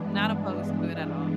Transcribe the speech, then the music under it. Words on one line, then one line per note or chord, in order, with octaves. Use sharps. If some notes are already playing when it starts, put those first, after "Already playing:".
Not opposed to it at all.
Already playing: G2 E3 G#3 B3 D4